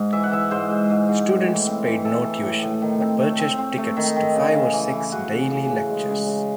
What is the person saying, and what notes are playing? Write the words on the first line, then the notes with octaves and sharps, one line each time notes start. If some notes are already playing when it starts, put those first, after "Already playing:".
Students paid no tuition, but purchased tickets to five or six daily lectures.
Already playing: G#2
E3 E5
F#5
E3 E5
G#2 C5
G#2
G#2
G#2
A2
E3
C4
E3
E3 A4
E3
A2
A2
D#3
C4
A3
C4
C4
A3
D#3
D#3
C#3
C#3
E3
E3
C#3 F#4
C#3
C#3
C#3
G#3
C#3
C#3